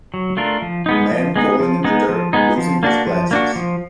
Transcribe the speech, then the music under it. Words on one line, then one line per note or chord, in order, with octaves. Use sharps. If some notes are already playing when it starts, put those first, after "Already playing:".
A man falling in the dirt, losing his glasses.
F#3
A3 D4 F4 A#4
F3
G#3 B3 D#4
F3
G#3 B3 D#4
F3
G#3 B3 D#4
F3
G#3 B3 D#4
F3
A#3 D4 F#4
F3
A#3 D4 F#4
F3